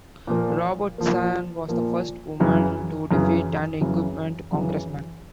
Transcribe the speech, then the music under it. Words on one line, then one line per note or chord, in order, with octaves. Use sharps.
Robertson was the first woman to defeat an incumbent congressman.
A#2 F3 A#3
A#2 F3 A#3
A#2 F3 A#3
F#2 C#3 E3
F#2 C#3 E3
F#2 C#3 E3
F#2 C#3 E3